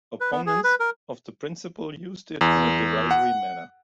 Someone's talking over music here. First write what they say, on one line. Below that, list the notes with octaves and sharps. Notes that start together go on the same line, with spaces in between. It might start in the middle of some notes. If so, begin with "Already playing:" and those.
Opponents of the principle used it in a derisory manner.
B4
B3
G#4
B4
A#4
E2
F#5